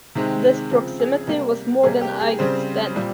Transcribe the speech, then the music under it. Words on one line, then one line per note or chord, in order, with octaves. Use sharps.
This proximity was more than I could stand.
C3 D#3 G#3 C4
C#3 F3 C4
G#4
C3 G3 A#3
C3 G3 A#3 G#4
G4
G#4
C#3 G3 C4 C5
A#2 G3 C4